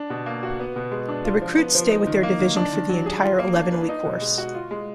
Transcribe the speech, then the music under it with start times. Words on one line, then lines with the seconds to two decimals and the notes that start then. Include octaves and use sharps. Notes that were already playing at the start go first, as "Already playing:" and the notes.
The recruits stay with their division for the entire eleven-week course.
Already playing: D4
0.10 B2
0.26 A#3
0.43 F#4
0.60 B3
0.76 B2
0.92 G#3
1.09 D4
1.24 F4
1.42 F3
1.58 B3
1.75 F3
1.91 D#4
2.07 D#3
2.23 A#3
2.40 D#3
2.56 D4
2.73 D#3
2.89 F#3
3.06 G#4
3.22 F4
3.39 A#3
3.55 D4
3.72 B4
3.89 D#4
4.05 B2
4.21 G#3
4.38 F#4
4.54 F4
4.71 G#3